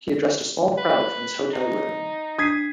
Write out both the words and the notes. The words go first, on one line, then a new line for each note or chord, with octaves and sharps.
He addressed a small crowd from his hotel room.
B4
D#4
D4 D#6 G#6 B6 C7 D#7